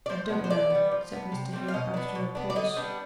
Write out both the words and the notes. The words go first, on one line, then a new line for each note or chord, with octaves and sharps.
'I don't know,' said Mr. Hale, after a pause.
D5
F3 C5
B3 D4
C5
D3 D5
G3 B3
F3
B3 D4
C3
G3 C4
F5
B2 D#5
B3 D4
B2
B3 D4
D5
D3 D#5
G3 B3 D4